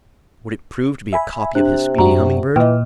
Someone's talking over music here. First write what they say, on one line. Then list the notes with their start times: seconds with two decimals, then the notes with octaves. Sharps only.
Would it prove to be a copy of his speedy Humming-Bird?
1.13 E5 G#5 B5
1.55 C3 D4 F#6
1.98 F#2 D4 F#4 A#5
2.56 A#2 E3 D#5 G5